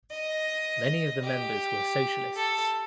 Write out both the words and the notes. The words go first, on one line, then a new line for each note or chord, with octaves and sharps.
Many of the members were socialists.
D#5
G4
A4